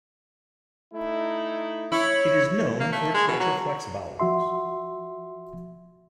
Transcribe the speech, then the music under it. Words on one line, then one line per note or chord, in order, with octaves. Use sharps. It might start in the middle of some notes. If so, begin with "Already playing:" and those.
It is known for its retroflex vowels.
A3 D#4 E4
E4 C#5
A#3
A3
G#3
B2
F#3
F3 F#4 E5 C6